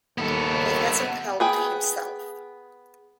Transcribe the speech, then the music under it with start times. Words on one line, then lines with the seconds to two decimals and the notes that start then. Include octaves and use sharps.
He hasn't helped himself.
0.18 D#2 B3 A4
1.40 B3 G#4 G5